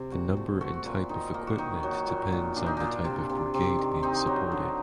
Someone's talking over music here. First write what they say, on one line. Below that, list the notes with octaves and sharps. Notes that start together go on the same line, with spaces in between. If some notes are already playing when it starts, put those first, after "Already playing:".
The number and type of equipment depends on the type of brigade being supported.
Already playing: C3 C4
A#2 F#4
A3
A3 F#4
A#2
D#3 D#4
A#3
F#4
D#3 D#4
F#3
A#2
A#2
A#2 D4
D#4
A#2 D4
C3
C3
C3
D#3
C4 D#4
F#3
D3